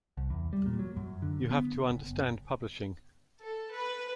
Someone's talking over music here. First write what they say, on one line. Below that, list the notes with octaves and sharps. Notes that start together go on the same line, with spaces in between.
You have to understand publishing.
C2
E2
G3
A#2
F#3
F#2
D3
B3
F#1
A4
B4